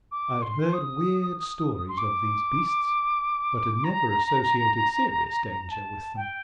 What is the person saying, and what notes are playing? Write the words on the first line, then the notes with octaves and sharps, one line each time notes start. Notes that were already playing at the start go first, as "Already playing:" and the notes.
I had heard weird stories of these beasts, but had never associated serious danger with them.
D6
C6
D#6
C6
D6
A#5
A5
G5